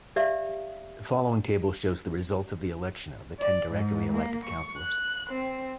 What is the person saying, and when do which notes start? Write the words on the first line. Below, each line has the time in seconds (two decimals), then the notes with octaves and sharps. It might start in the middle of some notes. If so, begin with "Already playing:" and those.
The following table shows the results of the election of the ten directly-elected councillors.
0.16 G4 D5 E5 F5
3.40 D5
3.71 G#2
4.12 A#3
4.45 C#6
4.79 F#6
5.30 C4